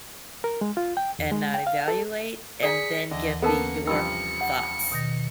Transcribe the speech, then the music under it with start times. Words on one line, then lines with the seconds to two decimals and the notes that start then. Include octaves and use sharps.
and not evaluate, and then give me your thoughts
0.44 A#4
0.61 G#3
0.77 F4
0.97 G5
1.19 E2
1.32 G#3
1.54 G5
1.67 F5
1.88 A4
2.63 G#4 D5 A#5 B6 C#7
3.11 D#2 D3 E3 D#5
3.42 A#3 B3 C#4 A4 A#4 A5 C#7
3.87 G2 C3 F3 E6 C#7
4.41 F#5
4.92 B2 D#3 A#6